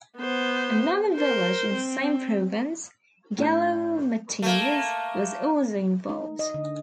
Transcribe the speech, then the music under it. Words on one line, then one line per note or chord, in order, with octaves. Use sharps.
Another village in the same province, Gallo Matese, was also involved.
B3 C5
A#4 C5
C4
A2 D4 G6
A3 A#3
D#4
D#5
D3